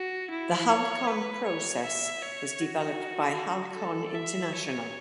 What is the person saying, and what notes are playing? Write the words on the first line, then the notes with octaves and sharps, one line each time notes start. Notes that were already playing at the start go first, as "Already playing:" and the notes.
The Halcon process was developed by Halcon International.
Already playing: F#4
E4
C#5
B4
C#5
E5
C#5
F#4
A4
E5
C#5